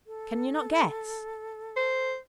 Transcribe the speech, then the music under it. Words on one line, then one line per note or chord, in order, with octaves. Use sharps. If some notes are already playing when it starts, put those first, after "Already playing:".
Can you not guess?
A4
C5